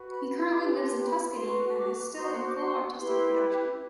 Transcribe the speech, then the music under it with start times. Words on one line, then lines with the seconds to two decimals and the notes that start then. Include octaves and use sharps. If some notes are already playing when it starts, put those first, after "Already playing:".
He currently lives in Tuscany and is still in full artistic production.
Already playing: F#4 B4
0.10 B5
0.51 D4 G4 B4 D6
0.79 C6
1.06 B5
1.33 F#4 B4 C6
1.74 D6
2.15 F#4 C5 C6
2.48 D6
2.56 C6
2.97 E4 G4 B4 C6